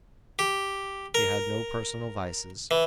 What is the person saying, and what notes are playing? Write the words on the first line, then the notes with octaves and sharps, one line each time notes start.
He had no personal vices.
G4
A#4
E3